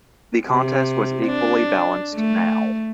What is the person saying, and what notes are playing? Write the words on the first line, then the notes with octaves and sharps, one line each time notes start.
The contest was equally balanced now.
C3
D4
A3